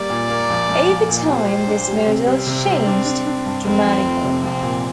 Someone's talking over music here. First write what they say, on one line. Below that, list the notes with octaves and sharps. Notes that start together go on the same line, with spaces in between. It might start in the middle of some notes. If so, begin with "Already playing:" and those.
Over time this model changed dramatically.
Already playing: G3 A#3 D5
A#2
A#3
A#1
A#1
A#1
A#2
G4 C5
G4
D4
G3
C3 C4
G3
C3
G3
D4
D4
D4
G2
F1 C4
F2
F3
C3
A#1 C4
A#2